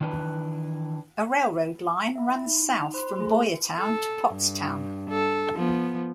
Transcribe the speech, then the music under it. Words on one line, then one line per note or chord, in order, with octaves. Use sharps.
A railroad line runs south from Boyertown to Pottstown.
D#3 E3 D4 B4
E5 B5
D#4
C5 B5 C6 F#6
A3 G#4 A4
A4
G2
A4
F3 B3